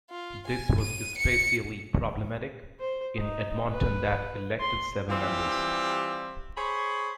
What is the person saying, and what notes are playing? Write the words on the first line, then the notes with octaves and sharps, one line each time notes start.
This was especially problematic, in Edmonton that elected seven members.
F4
G#5
D#7
C#7
C5
D#4
B4
C6
E3 G3 C4 F4 G4
G#4 C5 C#5 B5